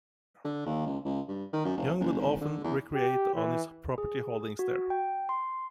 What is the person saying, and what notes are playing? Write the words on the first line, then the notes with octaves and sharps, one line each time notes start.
Young would often recreate on his property holdings there.
D3
D#2
C#2
C#2
G2
D#3
F#2
F1
F#1
G#1
D3
E2
G4
E3
G#4
F#4
G5
C6